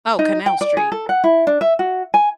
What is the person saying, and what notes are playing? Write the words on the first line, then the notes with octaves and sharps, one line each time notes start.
Oh, Canal Street.
D#4
G5
D5
G#4
A4
F#5
E4
D4
E5
F#4
G#5